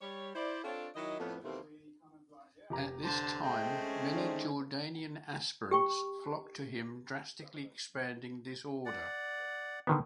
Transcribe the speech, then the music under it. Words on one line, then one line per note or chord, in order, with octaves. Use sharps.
At this time many Jordanian aspirants flocked to him drastically expanding this order.
G3 C#5
E4 C5 D5
C4 D4 F4 A4 C#5
D#3 F#3 E4 D#5
F2 A2 B3
D#2 B2 E3 A3 A#3 C4
F1 G4 A#5
D3 C5 A5
G#3 A3 C4 G5
C#4
D#3 C5 D5
G4 G5 C#6
D5 F#5
D3 D#3 B3